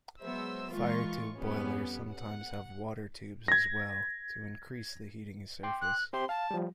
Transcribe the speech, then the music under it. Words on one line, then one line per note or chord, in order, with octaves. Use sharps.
Fire-tube boilers sometimes have water-tubes as well, to increase the heating surface.
F#3 G#3 B3 C5 E5 E6
A#2 E3 G#3 F4 C#6
F2 G3 B3 C#4
F#5
G#6 A#6
G5 C6 D6
F#6
C4 G4 C5 C6
F5 A5
F3 G3